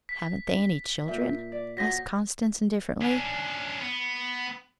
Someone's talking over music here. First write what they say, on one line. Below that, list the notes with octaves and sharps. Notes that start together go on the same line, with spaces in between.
"Haven't they any children?" asked Constance indifferently.
B6
A#2 E5 G5
D5
F#3 C5 C#5 D#5 F#5 A#6 B6
C#4 D4
B3